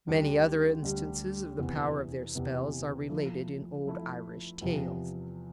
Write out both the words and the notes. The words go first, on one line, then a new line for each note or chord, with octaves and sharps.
Many other instances of the power of their spells are related in old Irish tales.
D2 D3 G3 D4 G4
D2 D3 G3 D4 G4
E2 C3 E3 B3
E2 C3 E3 B3
F3 A3 E4
F3 A3 E4
E2 C3 F3